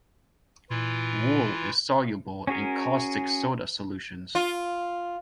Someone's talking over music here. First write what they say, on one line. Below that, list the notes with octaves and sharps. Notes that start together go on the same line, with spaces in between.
Wool is soluble in caustic soda solutions.
A#2 E3 E4 F4
C#4 F#4 G#4 A#4
F4